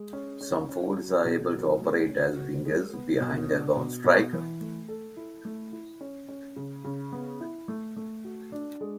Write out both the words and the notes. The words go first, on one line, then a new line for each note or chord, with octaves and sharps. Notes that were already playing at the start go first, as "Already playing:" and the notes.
Some forwards are able to operate as wingers behind a lone striker.
Already playing: G#3
C#4
C#4
C#4
F#3
B2
F#3
A3
C#4
F#4
G#3
B3
B2
D4
B2
B2
E3
A3
A4
E4
A3
E4
C#4
C#4
C#3
C#3
B3
E4
A3
A3
F#4
D4
G#3